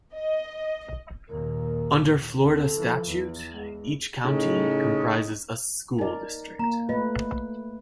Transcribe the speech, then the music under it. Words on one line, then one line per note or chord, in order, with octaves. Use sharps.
Under Florida statute, each county comprises a school district.
D#5
D#2 A#2 A#4
D2 C4 A4
E3 F3
E2 E3
G#3
A2 C#3 C#4 D#4
D#4 A#4 D5 D#5
A#3 A#5
A3 F4 B4 D#5